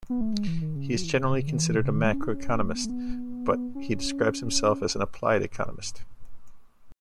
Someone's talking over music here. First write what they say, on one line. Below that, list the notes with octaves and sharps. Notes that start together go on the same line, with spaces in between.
He is generally considered a macroeconomist, but he describes himself as an "applied economist".
B3
A3
G#3
E3
D#3
C#3
F#3
E3
D#3
C#3
C#3
D#3
E3
B2
C#3
D#3
G#3
C#4
D#4
C#4
A3
B3
A3
B3
C#4